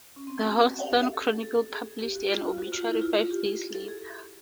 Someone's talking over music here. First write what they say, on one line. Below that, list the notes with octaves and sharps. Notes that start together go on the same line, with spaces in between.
The "Houston Chronicle" published an obituary five days later.
C#4
C4
F#4
G4
A4
A4
G#4
G4
F#4
F4
F#4
F#4
F4
E4
F4
F4
G4
G#4
A4
G#4